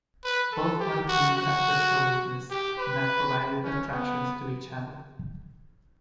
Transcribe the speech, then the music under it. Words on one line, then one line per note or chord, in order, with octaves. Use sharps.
Both are themed after show business, and have provided attractions to each other.
B4
A4
G4
F#4
F#4
G4
B4
C#4
B3